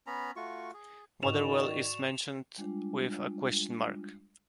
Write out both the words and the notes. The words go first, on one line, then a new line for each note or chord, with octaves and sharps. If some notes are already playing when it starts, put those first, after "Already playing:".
Motherwell is mentioned with a question mark.
B3 C#4 A#5 B5
A3 F4 F#4 C#6
G#4
G#2 D#3 F#4 D5 C#6 E7 F7
G3 G#3 D4 F4